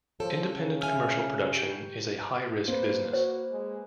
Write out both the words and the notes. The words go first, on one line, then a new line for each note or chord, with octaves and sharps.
Independent commercial production is a high risk business.
F3 A4 C#5
C#3
E5 G#5 E6 F6
G4 G6
A#3 B4 C5
F#4 C5
G#3